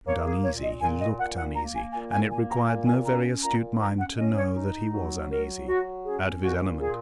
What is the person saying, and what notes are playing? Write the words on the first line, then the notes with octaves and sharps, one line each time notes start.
He seemed uneasy--he looked uneasy, and it required no very astute mind to know that he was uneasy--out of his element.
A#3 C#5
G#4
A#2 C#5
D#5
A#2 G#5
D#5
A#2 F#5
F#5
A#3 A#5
G#5
A#2 G#5
G#5
A#3 G#5
A#5
A#2 G#5
G#5
C#4 A#5
A#2 A#5
C#4 A#5
F#5
C#4 D#5
C#5
D#4
F#3
F#3 A#4
F#3 F#4
C#4 G#4
A#2 F#4
A#2 G#4